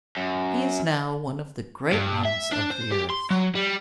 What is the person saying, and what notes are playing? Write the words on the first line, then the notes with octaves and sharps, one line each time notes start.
He is now one of the great ones of the earth.
F#2
G2
E5
D4
C5
G4
C6
F#3
G3